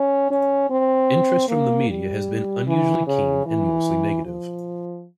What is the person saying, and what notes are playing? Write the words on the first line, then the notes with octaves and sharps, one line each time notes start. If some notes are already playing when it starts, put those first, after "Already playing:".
Interest from the media has been unusually keen, and mostly negative.
Already playing: C#4
C#4
C4
A#3
G3
E3
C#3
E3
F3